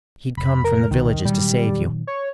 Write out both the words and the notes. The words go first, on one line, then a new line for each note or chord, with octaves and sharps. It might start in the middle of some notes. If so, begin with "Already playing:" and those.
He'd come from the villages to save you.
F1 B5
A#4
C2 D#3
A#2 D#3 F#3 G3
C#5